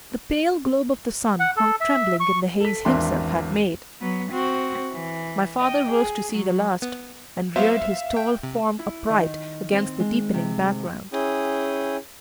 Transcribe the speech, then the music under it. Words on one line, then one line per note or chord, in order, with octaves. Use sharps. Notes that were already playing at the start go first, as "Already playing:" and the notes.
The pale globe of the sun hung trembling in the haze himself had made. My father rose to see the last, and reared his tall form upright against the deepening background.
F#5
A4
E5
C#6
A4 B6
G#1 E2 D4 E5 C6
F#3 B3
C4 F#4
E3
D#5 G5
G#4
F#3
B3
F#3 B3 C5 E5 F5
G5
C3
E4
D#3
C4
G#3
C3
C#4 E4 G#4 G5 D#6